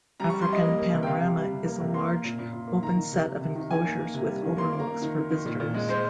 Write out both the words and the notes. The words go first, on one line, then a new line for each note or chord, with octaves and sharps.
African Panorama is a large open set of enclosures with overlooks for visitors.
G3 A#5
C#6
G3
C6
G3 D#5
A#3
A#3
C3
G5
C3 F5
C3
G3
C3
A#3
C3
A#3 C6
A#3
A#2
A#2
A#2
A#3
D#3 A#5
D#3
C3
C3
C3
D#3
D#3 G#5
A#3
A#3
C3
G3
D#3
A#3 C6
A#3
A#5
A#3
D#3
D#3
D#3
A#2
A#2
G#3
G#3 C5